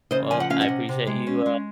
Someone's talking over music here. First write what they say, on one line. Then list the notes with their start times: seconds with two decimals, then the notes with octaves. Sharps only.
Well, I appreciate you, uh,
0.11 C#3 C5 D#5
0.31 F3 G#5
0.40 F#5
0.50 C#4 F5
0.61 D#5 F#5
0.69 C3
0.89 C3
1.07 G#3
1.27 C#4
1.46 G#3